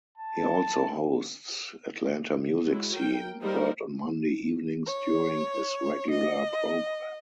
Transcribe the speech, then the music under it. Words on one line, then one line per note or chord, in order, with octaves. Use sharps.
He also hosts "Atlanta Music Scene", heard on Monday evenings during his regular program.
A5
F#3 G#3 E4
A#4 G5
G3 A#3 D#4 A#4 C5
C#5
D#5